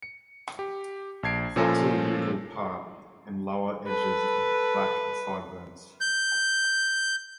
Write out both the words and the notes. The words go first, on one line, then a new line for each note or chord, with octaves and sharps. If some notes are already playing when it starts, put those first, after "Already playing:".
Fronto-jugal part and lower edges of black sideburns.
C#7
G4
A#1 A5 G#6 C7 D7
A#2 F3 C#4 A4 G#5 A#6
A4 B4
G6